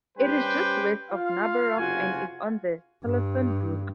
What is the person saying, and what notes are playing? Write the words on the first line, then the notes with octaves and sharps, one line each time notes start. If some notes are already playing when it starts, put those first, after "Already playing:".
It is just west of Narborough, and is on the Thurlaston Brook.
G3 C#4 G4 B4 C5 G5
F4 F5
F#1 C3 F4 F#4 G#5
G2